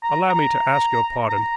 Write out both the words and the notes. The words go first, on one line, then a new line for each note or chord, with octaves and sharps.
Allow me to ask your pardon.
A#5
A#5
A#5